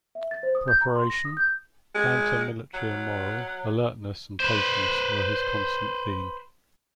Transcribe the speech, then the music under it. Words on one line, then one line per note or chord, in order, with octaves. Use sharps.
Preparation, banter military and moral, alertness and patience were his constant theme.
E5
A6
C5
D#6
G6
A#5
C6
A#6
D#6
G6
G#3
F#3
B4 C5